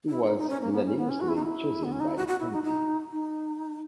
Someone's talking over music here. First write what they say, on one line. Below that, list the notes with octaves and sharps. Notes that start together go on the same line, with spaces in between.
He was unanimously chosen by the committee.
E4
D#4
D#4
C#4
A#3
B3
C#4
B3
C#4
F#4
E4
D#4
E4
B3
C#4
D#4
E4
F#4
F#4
E4
D#4
D#4
D#4